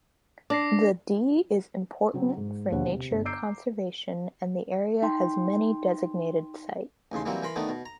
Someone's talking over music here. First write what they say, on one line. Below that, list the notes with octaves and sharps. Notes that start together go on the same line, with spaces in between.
The Dee is important for nature conservation and the area has many designated sites.
D4 D6 A#6 C7
C#3 F#3 C4
G#2
E1 D#2 B2 D3 C#5 F#5
C3
G1
A#5 D6 E6 G6 C7 D7
D#4 G5 C6
A1 D#2 C#3 C6
E3 F#3 G3 A#3 C4
E3 A#4 B5 C6
D#3 A3 B3 D4
B2
A#5